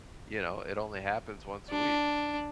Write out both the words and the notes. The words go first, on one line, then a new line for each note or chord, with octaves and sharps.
you know, it only happens once a week.
D4